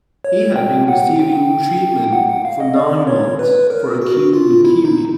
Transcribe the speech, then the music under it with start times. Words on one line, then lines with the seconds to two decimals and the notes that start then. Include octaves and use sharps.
He had been receiving treatment for nine months for acute leukaemia.
0.25 C#5
0.56 G5
0.88 F#5
1.20 G5
2.13 F#5
2.29 F#5
2.45 F5
2.60 D#5
2.76 D5
3.07 C#5
3.39 B4
3.70 A#4
4.01 F#4
4.33 F4
4.65 E4
4.85 D#4